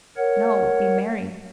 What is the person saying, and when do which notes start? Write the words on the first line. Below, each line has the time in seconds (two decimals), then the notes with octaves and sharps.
No, be merry.
0.17 A#4 C#5 F#5